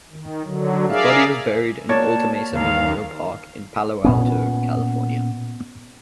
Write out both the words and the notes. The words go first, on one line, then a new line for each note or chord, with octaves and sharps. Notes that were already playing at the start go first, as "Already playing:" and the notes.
His body was buried in Alta Mesa Memorial Park in Palo Alto, California.
D#3
D3 F#3
G#4 A#4 D5 E5 F5
A#3 F#4 C#5 D5 A5 G#6 A6
D#2 F5
A#2 B3 C#4